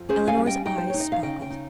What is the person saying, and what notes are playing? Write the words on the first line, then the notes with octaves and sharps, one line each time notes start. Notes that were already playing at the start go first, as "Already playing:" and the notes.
Eleanor's eyes sparkled.
Already playing: F2
C#4 G#4 C5
F5 G#5
G3
D#5 G5
D#4 D#5 G5
C5
D#4 C#5
D#5
F5
C#3 D#5 G5
D#5 G5
D#4